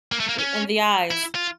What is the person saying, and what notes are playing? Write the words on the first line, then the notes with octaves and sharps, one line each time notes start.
I In the eyes.
A#3
A3
A#3
C#4
E4
F4